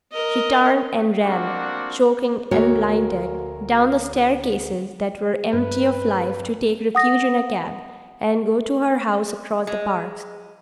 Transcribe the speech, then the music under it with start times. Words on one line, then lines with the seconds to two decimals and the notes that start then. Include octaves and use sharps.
She turned and ran, choking and blinded, down the staircases that were empty of life to take refuge in a cab and go to her house across the Parks.
0.13 A#4 D#5
1.23 A#3 C4 D4 F#4 F#5
2.51 D2 A#3 F#4 A#4 C#5
5.53 G2 B4
6.95 F#5 D#6 A#6
9.67 G#3